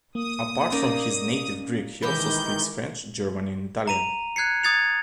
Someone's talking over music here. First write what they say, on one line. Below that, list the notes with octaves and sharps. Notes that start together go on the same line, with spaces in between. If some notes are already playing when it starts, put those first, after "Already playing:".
Apart from his native Greek, he also speaks French, German and Italian.
A#3 D#6
A#3 C#4 D#4 D5
D#3 E3 G#3 G4 B5 G6
A#5 D#7 F7
F#6 G#6 C7 C#7
D#6 G#6 A6 C#7 F7